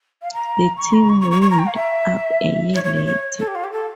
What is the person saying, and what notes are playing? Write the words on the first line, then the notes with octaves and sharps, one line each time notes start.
The team wound up a year later.
F5
A#5
C#6
A#5
C#6
C#6
C#6
C#6
A#5
G5
F5
E5
C#5
C#5
C#5
C#5
A4
G4
F4
G4
A4